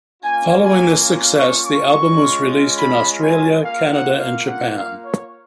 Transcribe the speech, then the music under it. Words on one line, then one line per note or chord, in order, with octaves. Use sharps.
Following this success the album was released in Australia, Canada and Japan.
A#3 C#4 F4 G#5
G#5
C#6
C#6
G#3 C#4 F4
B5
G#5
A#3 F4 F5
F#5
F5
F#5
F5
C#5